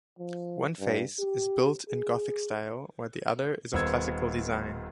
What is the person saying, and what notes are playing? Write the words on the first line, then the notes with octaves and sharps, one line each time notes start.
One face is built in Gothic style, while the other is of Classical design.
F3
G2
G4
G#4
D#1 D#2 B3 C5 E6 G#6